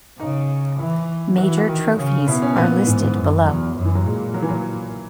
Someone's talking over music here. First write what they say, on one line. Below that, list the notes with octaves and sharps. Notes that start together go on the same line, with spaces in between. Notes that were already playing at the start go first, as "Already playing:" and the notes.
Major trophies are listed below.
C#3 D#4
E3 E4
E3 F#4
E4
F#4
D#3
C#3
B2 E4
C#4
A#2 B3
G#2 E3
E3
F#2
E2 F#3
F#2
E3
F#3
A#2 G#3
F#3
E3
F#3